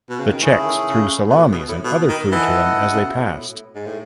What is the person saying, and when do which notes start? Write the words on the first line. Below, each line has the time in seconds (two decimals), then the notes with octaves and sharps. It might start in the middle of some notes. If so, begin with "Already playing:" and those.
The Czechs threw salamis and other food to them as they passed.
0.10 B2
0.19 C#3
0.30 D#3
0.41 E3 A3 C#4 E4 G#4
0.58 C#3
0.65 D#3
0.89 C#3
1.30 B2
1.36 A2
1.52 B2
1.68 A2
1.84 B2
2.08 D#3
2.31 E3 E4 A4 D#5 F#5
2.80 C#3
2.92 C#3
3.04 B2
3.15 A2
3.24 B2
3.32 A2
3.75 G#2
3.86 A2